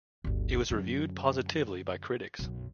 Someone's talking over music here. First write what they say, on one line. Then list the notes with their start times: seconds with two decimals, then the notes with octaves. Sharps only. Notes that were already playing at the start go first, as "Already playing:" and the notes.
It was reviewed positively by critics.
0.24 G1 D2
0.70 F#2 D3
2.39 B1 F#2